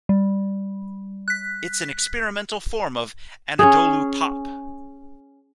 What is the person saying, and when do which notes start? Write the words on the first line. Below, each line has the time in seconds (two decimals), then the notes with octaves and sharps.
It's an experimental form of "Anadolu Pop".
0.09 G3
1.28 F#6 B6
3.59 C#4 G#4